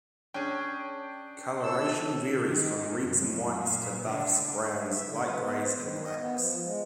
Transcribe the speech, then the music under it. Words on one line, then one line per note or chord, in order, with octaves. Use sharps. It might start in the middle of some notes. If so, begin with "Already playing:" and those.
Colouration varies from reds and whites to buffs, browns, light greys, and blacks.
C#4 D4 G#4 G5
A4 C#5 E6
D#3
F#2
A#2
D3
G2
E5
D3
B4
B3
C5
D#3
D#5
B3
F3
G#3